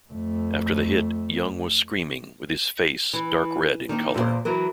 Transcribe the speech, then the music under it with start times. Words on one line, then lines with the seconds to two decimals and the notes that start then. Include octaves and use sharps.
After the hit, Young was screaming with his face dark red in color.
0.10 F2 A3
3.13 E3
3.89 D#3 A#3 D#4
4.14 E2 A#2 F#4 C5
4.45 E3 F#3 A#4